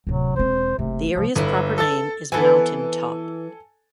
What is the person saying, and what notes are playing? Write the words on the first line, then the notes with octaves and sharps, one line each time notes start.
The area's proper name is Mountain Top.
D1 C3 F#3
E1 C4 C5
F#1 C3 A3
C2 F3 G#3
G1 B3 E4
A4 E6 A6
E3 B3 A4 G#5